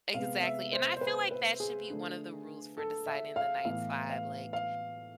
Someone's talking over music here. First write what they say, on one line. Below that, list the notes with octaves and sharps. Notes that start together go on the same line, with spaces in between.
Exactly, and I feel like that should be one of the rules for deciding the night's vibe, like,
C3 G#3 B3 F5
E5
C5
C5
B4
B4
G#4
D3 A3
A4
E5
F5
A2 E3 B3 F5
F5
F5